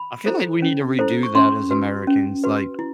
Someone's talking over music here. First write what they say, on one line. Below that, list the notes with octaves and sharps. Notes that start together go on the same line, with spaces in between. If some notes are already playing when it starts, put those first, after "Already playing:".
I feel like we need to redo that as Americans. Like,
Already playing: B5
E4 A4 C5
C#4
E4 A4 C5
C#6
C#4 C6
F#4 B4
C#4
F#4 B4
E4